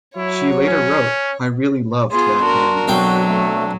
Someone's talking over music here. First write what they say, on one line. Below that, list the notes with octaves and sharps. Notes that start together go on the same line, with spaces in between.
She later wrote, I really loved that man.
F#3 E4 C#5
C#4
B3 F4 G#4 C6
D4 F#4 A#4
B1 F#3 C4 F#4 G5
A3